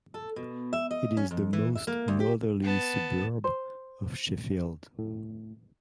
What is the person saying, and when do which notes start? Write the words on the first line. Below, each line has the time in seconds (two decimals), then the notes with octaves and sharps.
It is the most northerly suburb of Sheffield.
0.14 A4
0.36 B2
0.73 E5
0.91 D#5
1.17 C#4
1.31 F2
1.53 E3
1.75 E5
1.87 A#3
2.08 D2
2.20 G4
2.63 B3 A5
3.44 C5
4.99 A2